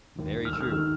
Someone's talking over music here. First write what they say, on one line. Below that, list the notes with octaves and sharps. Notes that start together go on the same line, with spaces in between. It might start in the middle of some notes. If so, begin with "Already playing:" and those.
Very true,
D#2
D#2
F6
D#2 E6
F6
D#3